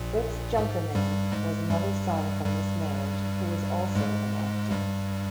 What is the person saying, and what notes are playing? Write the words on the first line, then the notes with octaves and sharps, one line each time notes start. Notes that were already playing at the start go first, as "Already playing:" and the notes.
Fritz Junkermann was another son from this marriage who was also an actor.
Already playing: A#1 A#2
G#2
G2 G3
G#2 G#3
G2 G3
G2 G3
G#2 G#3
G2 G3